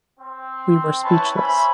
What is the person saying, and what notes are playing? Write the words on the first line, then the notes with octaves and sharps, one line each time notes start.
We were speechless.
C4
C#4 E4 B4 A5
C#4 C5 E5 G#5 B5